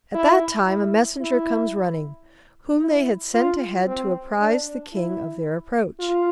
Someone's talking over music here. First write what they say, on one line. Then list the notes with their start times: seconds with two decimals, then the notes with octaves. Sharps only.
At that time a messenger comes running, whom they had sent ahead to apprise the King of their approach.
0.15 E4
0.68 E4
1.21 E4
2.81 E4
3.34 F4
3.87 C4
4.40 D4
4.93 E4
6.00 F4